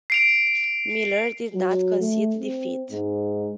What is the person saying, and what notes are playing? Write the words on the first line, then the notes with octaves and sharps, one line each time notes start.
Miller did not concede defeat.
C7 D7 F7
F#3
A3
C4
G#2